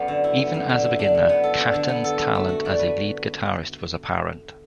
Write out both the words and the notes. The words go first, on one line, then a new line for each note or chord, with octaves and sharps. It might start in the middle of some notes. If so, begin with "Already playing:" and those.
Even as a beginner, Caton's talent as a lead guitarist was apparent.
Already playing: F#2 A3 B3 D5
D3
E4
B3
F#2
D3
E4
D4
D3
B3
A4
D4
D3
B3
A4
B4
A3
F#4
D5
B4